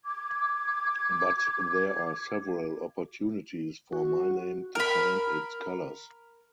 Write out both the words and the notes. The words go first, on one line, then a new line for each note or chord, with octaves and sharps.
But there are several opportunities for Myname to find its colors.
D6 G#6
F#4
A#4 B5